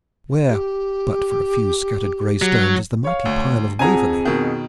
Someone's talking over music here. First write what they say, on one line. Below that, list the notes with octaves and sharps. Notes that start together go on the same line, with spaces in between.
Where, but for a few scattered gray stones, is the mighty pile of Waverley?
G4
F#3
C#5 F5
D2
F2 G#4 F#5 G#5 A#5
B2 D#3